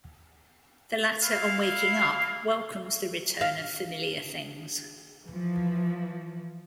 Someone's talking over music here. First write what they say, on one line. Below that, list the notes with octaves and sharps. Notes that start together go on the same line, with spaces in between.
The latter, on waking up, welcomes the return of familiar things.
E4 F5
F5
E3 F3